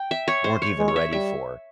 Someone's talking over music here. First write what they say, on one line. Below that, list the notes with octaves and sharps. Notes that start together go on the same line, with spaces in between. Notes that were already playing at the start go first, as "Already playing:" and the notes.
weren't even ready for
Already playing: G5
E5
C#5
C5
C#5
G#3
C#5
E5
G3 E5